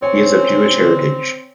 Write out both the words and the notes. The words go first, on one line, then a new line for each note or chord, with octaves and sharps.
He is of Jewish heritage.
C4 C#5 G#5